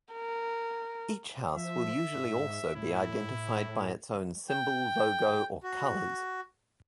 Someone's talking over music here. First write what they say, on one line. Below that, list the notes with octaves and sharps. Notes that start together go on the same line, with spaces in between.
Each house will usually also be identified by its own symbol, logo, or colours.
A#4
F3 E5
G#2
A2 E4
G5
F#4